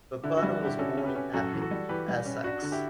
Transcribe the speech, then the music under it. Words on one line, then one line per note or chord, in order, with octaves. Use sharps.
Pappano was born in Epping, Essex.
D3 E4
F#4
G3
F#4
D3 E4 G4
C#4 F#4 A4
C#4
G4 B4
C#4
F#2 F#4 A4
E3
F#4 A4
G3
E3 G4 B4
G3
C#4
D4 F#4
D3
E4 G4